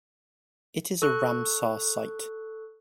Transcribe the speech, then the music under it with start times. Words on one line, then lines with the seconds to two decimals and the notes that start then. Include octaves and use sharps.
It is a Ramsar site.
1.02 A4 C#6 F#6